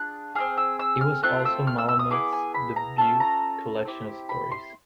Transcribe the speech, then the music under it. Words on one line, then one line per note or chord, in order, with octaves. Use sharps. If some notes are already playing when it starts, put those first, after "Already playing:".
It was also Malamud's debut collection of stories.
Already playing: D4 F4 G#4 F#6
C4 D#4 G#4 F6
E6
E6
F6
A3 C4 F4 F#6
E6
F6
E6
E6
D#6
B3 E4 G#4 D6
G#5
B5
A#5
C#4 F4 A4 A5
A#5
C4 E4 G4
B5
C6